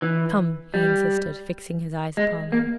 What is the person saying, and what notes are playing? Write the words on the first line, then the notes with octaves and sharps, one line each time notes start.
"Come," he insisted, fixing his eyes upon her.
E3
G3
G#3
A#3